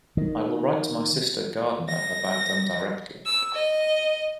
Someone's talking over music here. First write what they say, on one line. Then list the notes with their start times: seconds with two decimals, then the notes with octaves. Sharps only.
I will write to my sister Gardiner about them directly.
0.17 D#3
1.87 A#6
3.26 E6
3.54 D#5